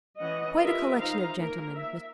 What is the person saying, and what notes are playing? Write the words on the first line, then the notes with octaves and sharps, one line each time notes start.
Quite a collection of gentlemen--Mr.
E3 C#4 D#5 F#5
F4 G4 A#4 B4 D#5 E5
D#4 F4 C5 F5 A#5
A#3 A#4
E5